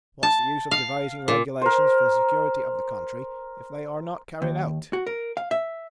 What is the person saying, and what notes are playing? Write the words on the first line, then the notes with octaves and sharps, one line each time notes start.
What's the use of devising regulations for the security of the country if they are not carried out?
A5
F5
A#2
A#4 C5
D#2
F#4
A#4
F5
E5